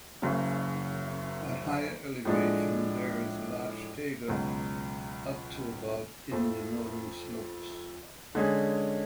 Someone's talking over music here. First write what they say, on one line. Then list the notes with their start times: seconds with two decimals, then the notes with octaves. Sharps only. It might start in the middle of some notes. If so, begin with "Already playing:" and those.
At higher elevations there is larch taiga up to about in the northern slopes.
0.22 F#1 F#2 C#3
2.25 A2 F3 G#3 D4
4.28 C#2 B2 F#3
6.32 F2 F3 A3
8.35 D3 G#3 C#4 G#4